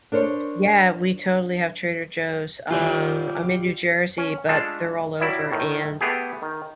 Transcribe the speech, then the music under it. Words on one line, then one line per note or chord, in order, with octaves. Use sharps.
Yeah, we totally have Trader Joe's. Um, I'm in New Jersey, but they're all over and
D4 A#4 C5 C#5
F4 G4 D5
C#4
G#3 A3 D4 F4 A4
F#3 G3 E4 D5 E5
A2 D#3
A3 B3 G4 G#4
D#3